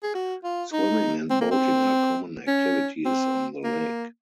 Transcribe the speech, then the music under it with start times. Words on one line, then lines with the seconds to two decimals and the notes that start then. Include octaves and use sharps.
Swimming and boating are common activities on the lake.
0.03 G#4
0.15 F#4
0.44 F4
0.72 D#4
1.30 C4
1.41 A#3
1.51 C4
2.47 C#4
3.05 C4
3.64 A#3